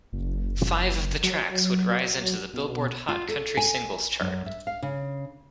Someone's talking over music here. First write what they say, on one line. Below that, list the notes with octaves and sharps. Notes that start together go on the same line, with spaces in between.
Five of the tracks would rise into the Billboard Hot Country Singles chart.
F#1
F#3
B2
F4
A4
G#5
F#2
E5
F5
C#3